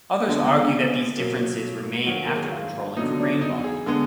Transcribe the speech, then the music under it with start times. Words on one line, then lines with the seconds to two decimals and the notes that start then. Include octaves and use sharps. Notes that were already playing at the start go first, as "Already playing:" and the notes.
Others argue that these differences remain after controlling for brain volume.
0.27 D3 F3 G#3 B3
1.17 B2 F#3 A#3
2.07 D#3 F#3 A#3 F#4
2.27 A#4
2.36 G#4
2.43 F#4
2.52 F4
2.97 D3 F#3 B3 D#4
3.19 D4
3.41 D#4
3.64 G#4
3.86 D3 G#3 B3